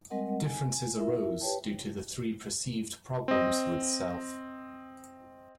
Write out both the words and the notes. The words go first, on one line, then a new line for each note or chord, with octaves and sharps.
Differences arose due to three perceived problems with Self.
G3 G#3 C4 A#4 D#5 F#5
G#5
E4 F4 A#4 E5
G4 B4 C#5 G5 A5
C4 D#5